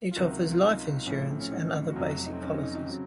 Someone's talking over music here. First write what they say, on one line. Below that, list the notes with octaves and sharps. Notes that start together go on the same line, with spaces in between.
It offers life insurance and other basic policies.
F4
C#2 C3 D#3 F#3 F#4
F4
D#4
A#1 A2 F3 C#4
C4
C4
C#4
D#4
F#4
F1 F2 C3 F#3 F4
F#4
D#4
C4
C#4
D#4
D#4
D#4
C#3 F#3 C4